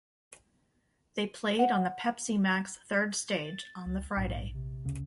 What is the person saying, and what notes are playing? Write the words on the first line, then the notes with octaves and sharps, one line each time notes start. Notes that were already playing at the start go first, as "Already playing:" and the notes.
They played on the Pepsi Max third stage on the Friday.
F#5
A6
C#2
A#1 G#2
C3
D2 C#3